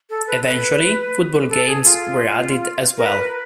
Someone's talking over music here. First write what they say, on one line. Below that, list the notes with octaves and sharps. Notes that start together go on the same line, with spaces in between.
Eventually, football games were added as well.
A4
B4
B4
A4
G#4
F4
A#4
B4